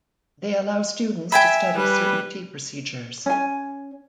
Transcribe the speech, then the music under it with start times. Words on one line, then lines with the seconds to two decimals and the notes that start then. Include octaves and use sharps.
They allow students to study certain tea procedures.
1.32 E5 G5 G#5 B5
1.75 G3 B4
3.26 C#4 G#5